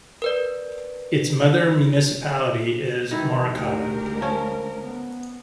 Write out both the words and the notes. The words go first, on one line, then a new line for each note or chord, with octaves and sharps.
Its mother municipality is Morochata.
A#4 B4 D5
D#3 E3 E4
D2 G#3 G4 A#4
F3 C#4
B3